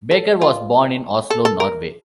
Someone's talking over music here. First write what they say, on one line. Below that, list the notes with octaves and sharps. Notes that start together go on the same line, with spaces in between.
Backer was born in Oslo, Norway.
A4
F4
A4
A4
A#4